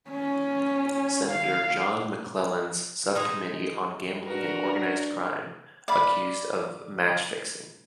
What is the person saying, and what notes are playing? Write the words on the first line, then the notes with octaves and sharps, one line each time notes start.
Senator John McClellan's subcommittee on Gambling and Organized Crime, accused of match fixing.
C#4
F5
G#3 D#4 G#4
D4 F#4 A#4 B4
D5 F5 B5